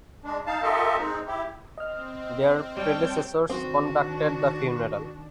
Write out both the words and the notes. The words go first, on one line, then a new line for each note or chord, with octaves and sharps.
Their predecessors conducted the funeral.
G#3 D4
D#4 F5 A5
F4 G4 A4 A#4 D#5 E5
G#3 C4 D#4
E4 G4
C4 D#5 F6
G3 C#5 G5 A5
D#3 C4 D4 F#4